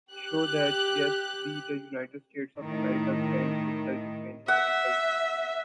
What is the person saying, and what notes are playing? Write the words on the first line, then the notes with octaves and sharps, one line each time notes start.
Show that, yes, we the United States of America stand with the Ukrainian people.
G4 F#6
A2 D#3
E5 F#5